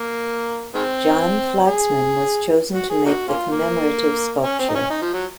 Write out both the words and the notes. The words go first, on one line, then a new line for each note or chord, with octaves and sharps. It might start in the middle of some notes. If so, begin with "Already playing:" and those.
John Flaxman was chosen to make the commemorative sculpture.
Already playing: A#3
D#3 G#3 C4
G#4
F#4
G#4
A#3 D#4 F#4
A#3 C#4 F4
A#3
C#4
C4
D#4
C#4
D#4
F3
F#3